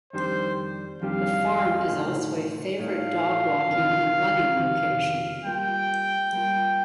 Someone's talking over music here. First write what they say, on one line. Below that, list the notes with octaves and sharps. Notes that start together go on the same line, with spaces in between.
The farm is also a favorite dog walking and running location.
F2 D#3 G3 D4 G4 C5
F2 D#3 G3 D4 G4 F5
A2 A3 D#4
A2 A3 D#4 F5
F2 C3 D#3
F2 C3 D#3
G3 A#3 F4 G5
G3 A#3 F4